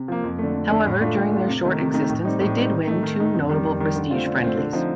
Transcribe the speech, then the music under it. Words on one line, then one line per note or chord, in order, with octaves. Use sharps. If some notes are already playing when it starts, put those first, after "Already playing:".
However, during their short existence they did win two notable prestige friendlies.
Already playing: C3
F3 A#3
F2
D3 A3
F2
D3 A3
A2
A3 D4 F4
A2
A3 D4 F4
C3
D#3 A3 D#4
C3
D#3 A3 D#4
A2
G3 C4 D#4
A2
G3 C4 D#4
D#3
A3 D#4
D#3
A3 D#4
F2
D#3 G3
F2
D#3 G3
D3
A3 C4 F4
D3
A3 C4 F4
D3
F3 C4 D#4